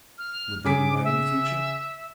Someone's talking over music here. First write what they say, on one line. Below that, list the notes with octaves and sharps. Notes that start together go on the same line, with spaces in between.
Would they be right in the future?
F6
C#3 G#4 D6 B6
E5